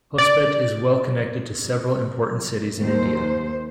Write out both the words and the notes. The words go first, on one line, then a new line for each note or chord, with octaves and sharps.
Hospet is well connected to several important cities in India.
D5
D#2 C5